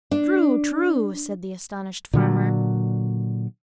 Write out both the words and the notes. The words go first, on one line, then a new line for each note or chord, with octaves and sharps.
"True, true!" said the astonished farmer.
D4
A#2 D3 F#3